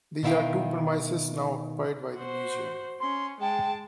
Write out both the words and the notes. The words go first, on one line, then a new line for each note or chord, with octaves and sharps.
These are the premises now occupied by the museum.
B2 D#3 E4 E5 F5 G5
F#4 C5
C#4 C6
G#3 G5 A5